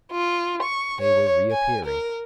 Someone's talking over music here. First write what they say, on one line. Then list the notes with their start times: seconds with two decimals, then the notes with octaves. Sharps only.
They were reappearing.
0.12 F4
0.62 C#6
1.01 C#5
1.51 G#5
1.85 A#4